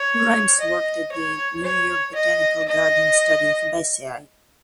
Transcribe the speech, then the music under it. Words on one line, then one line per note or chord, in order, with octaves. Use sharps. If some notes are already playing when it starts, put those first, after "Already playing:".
Grimes worked at the New York Botanical Garden studying Fabaceae.
Already playing: C#5
D#5
C#5
C#5
D#5
D#5